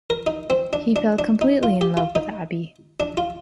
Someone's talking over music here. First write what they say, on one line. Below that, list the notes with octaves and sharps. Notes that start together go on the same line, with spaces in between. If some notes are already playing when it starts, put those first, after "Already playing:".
He felt completely in love with Abby.
A#4
D#4
C4
D4
D4
D4
D#4
F4
G4
F4
D#4
D4
F4